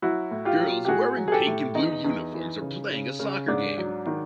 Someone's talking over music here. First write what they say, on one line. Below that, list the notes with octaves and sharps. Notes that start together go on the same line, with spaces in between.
Girls wearing pink and blue uniforms are playing a soccer game.
F#3 E4 F#4
A2
F4 G4
F#3
G4
A2 F#4 G#4
F#3
G#4
G4 A4
A2
E2 D#4
E2
E3
C#3
C#3
C#3
G#2 D4
F#3
D#3